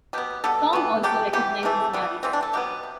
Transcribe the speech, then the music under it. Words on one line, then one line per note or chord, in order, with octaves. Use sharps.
Tom also recognizes Maris.
B2 F#3 B3 G4
B2 G3 B3 A4
E3 B3
C3 F#3 A3 G4
C3 E3 B3 G4
C3 E3 A3
E3 G3 B3
C3 E3 G3 B3 C4
D4
A4
B2 F#3 B3 G4
C3